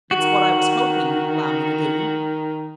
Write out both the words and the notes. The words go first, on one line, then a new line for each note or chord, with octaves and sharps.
It's what I was hoping you'd allow me to do.
D#3 F#4